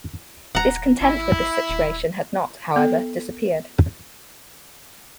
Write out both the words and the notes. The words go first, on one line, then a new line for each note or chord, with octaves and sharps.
Discontent with this situation had not, however, disappeared.
D#1 F#5 A#5
G#1 E4
D#1
B3 A4